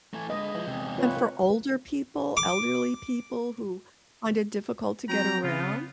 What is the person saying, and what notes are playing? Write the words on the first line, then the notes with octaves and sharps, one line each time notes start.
and for older people, elderly people who find it difficult to get around,
E3 A3
D3 G#3 B4 D#5
F3 E4
E2 C3
F4 B4 C#5
A#4
D6
F#3 C4 G5 A#5
C#3 B3 F4